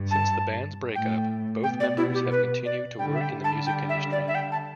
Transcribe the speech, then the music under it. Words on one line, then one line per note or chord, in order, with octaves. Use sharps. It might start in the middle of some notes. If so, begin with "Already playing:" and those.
Since the band's break-up, both members have continued to work in the music industry.
Already playing: G2
A5
A2 G5
B2 G5
D5
E4
G4
B4
D5
D3 G3 G5
E5
G5
D3 G3
A5
G5
E5
D5
E5
G5
A5